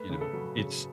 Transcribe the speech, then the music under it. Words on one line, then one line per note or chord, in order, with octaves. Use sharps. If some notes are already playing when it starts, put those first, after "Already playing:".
you know, and it's
Already playing: A3 B4
C#3
A4
F#3
C#3